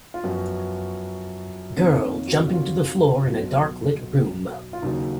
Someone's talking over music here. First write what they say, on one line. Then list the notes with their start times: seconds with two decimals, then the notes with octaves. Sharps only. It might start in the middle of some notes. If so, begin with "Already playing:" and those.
Girl jumping to the floor in a dark lit room.
0.14 F4
0.24 F#2 F3 B3 F#4
1.76 F2 D#3 A#3 C#4 F4
2.27 F#4
2.53 F4
3.30 B1 B2 F#3
4.73 F4
4.82 D#2 C#3 F#3 D#4